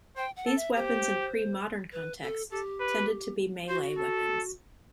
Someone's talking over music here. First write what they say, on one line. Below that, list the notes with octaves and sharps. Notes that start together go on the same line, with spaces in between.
These weapons in pre-modern contexts tended to be melee weapons.
C5 G5
F#5
A4
E5
G4 C5
B4
A4
G4 A4
B4
F#4 C5
A4